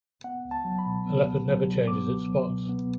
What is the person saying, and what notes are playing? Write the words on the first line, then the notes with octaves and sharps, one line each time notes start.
A leopard never changes its spots.
B3 F#5
C#2
A5
F#3
B5
B2
B3
C#2
F#3
B2
B3 D6
C#2
F#3
B2
B3